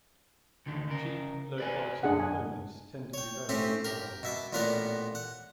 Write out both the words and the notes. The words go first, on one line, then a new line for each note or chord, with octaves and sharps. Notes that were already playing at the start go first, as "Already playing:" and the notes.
Cheap low quality components tend to be very unreliable.
D2 D3 D#3
C#3 A#4
B4 D5 G#5
C2 F#2 D4 G#4 F#5
G#5
C#5 G5
A3 C4 C#4 G4
G4 A#4
B2 E5 A5 D6
A1 A#2 B3 A#4 D5 F#5
F#5